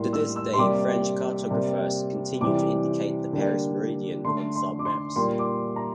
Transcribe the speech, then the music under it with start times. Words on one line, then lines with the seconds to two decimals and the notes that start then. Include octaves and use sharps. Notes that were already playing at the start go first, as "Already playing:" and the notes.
To this day, French cartographers continue to indicate the Paris meridian on some maps.
Already playing: A2 G3 A#3 C6
0.13 E6
0.36 E6
0.54 C6
0.58 C3 G3 A#3 D6
1.50 C3 G3 A#3
2.41 C3 E3 G3 D6
3.33 D3 G3 A#3
4.25 D3 A3 C6
4.56 C6
4.79 D6
4.85 C6
5.16 A#2 G3 A#3 C6
5.39 D6
5.76 A#5